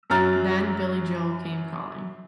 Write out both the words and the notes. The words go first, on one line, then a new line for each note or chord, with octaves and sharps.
Then Billy Joel came calling.
F#2 F#3 A#5 F6 A6